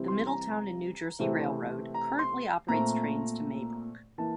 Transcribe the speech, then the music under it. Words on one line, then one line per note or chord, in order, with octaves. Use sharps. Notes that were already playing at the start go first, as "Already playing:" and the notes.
The Middletown and New Jersey Railroad currently operates trains to Maybrook.
Already playing: C3 E3 G3 C4
C6
A#5
C3 E3 A3 C4
A#5
C6
A#2 A3 C4 A#5
E3 A#3 A5